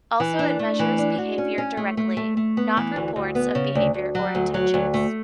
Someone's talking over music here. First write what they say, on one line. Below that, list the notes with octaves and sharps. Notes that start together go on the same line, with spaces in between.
Also it measures behavior directly, not reports of behavior or intentions.
E3
D4
A3
E3
D4
F#4
C#4
C#4
A3
A3
A3
A3
B3
E3
D2
D2
B3
C#3
D2
D2
F#3
D2
F#3
D2
A3